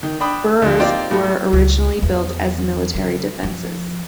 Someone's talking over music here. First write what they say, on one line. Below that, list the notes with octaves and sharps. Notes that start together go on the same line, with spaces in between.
Burhs were originally built as military defences.
D#3
D4 G5 B5 D#6
D2 F3
A#3 C4 D#4 F4 G4 D5
A2 F#3 G3
C#2
E2
C#3
F3